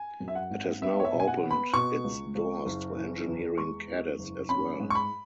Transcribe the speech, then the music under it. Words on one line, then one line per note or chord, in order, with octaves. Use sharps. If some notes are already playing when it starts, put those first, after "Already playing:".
It has now opened its doors to engineering cadets as well.
Already playing: G#5
F#2
E5
F#5
G#1
B3 E5
C#5
E5
B2
G#5
F#5
B3
B5
B2 C#6
C#2
C#2
F#1
E3
E2
G#3 C#6
E2
F#1
C#4 B5
G#2
C#6
B5